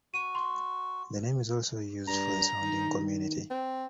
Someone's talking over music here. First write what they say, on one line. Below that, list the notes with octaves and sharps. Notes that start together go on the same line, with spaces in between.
The name is also used for the surrounding community.
F#4 D#7
C6
G2 A#5
D#3
C4